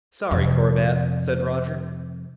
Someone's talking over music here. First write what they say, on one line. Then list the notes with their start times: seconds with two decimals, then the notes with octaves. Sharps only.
"Sorry, Corbett," said Roger.
0.31 F2 C3